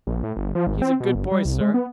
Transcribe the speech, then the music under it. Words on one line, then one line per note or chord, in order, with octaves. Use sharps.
"He's a good boy, sir."
A#1
A2
G1
F3
G#1
C4
B2
G1
G3
C2
G#3
B3